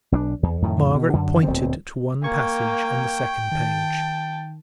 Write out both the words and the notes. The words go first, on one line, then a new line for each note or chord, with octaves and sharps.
Margaret pointed to one passage on the second page.
B1 C4 D4
E2
F2 A2 D#3
B2
F#2 D3
D1 G#1 B2 C4
A#3 G5 C#6 G#6
D#3 A5